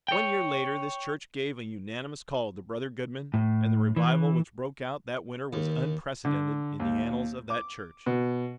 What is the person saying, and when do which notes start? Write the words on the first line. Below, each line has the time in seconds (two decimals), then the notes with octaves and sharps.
One year later this church gave a unanimous call to Brother Goodman and the revival which broke out that winter was unprecedented in the annals of that church.
0.08 C#5 G5
3.34 A2
3.96 E3
5.53 D#2
6.25 D3
6.80 D#2
7.50 D6
8.06 B2